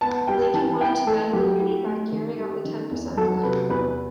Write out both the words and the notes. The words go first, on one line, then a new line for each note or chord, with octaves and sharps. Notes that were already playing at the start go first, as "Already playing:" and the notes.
Lincoln wanted to mend the Union by carrying out the Ten percent plan.
B3 A5
G3 G5
E3 A5
E4 G5
A3 A4
F#3 G4
E4
A3
D#3
G3
D#3
E2
F#3 A4
C3 B4
E2 B4